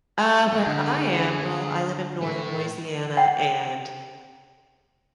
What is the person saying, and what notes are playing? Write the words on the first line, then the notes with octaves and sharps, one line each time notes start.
Uh, where I am, well, I live in Northern Louisiana, and
G#4 F#5
D3
A2 A3
F#5 G5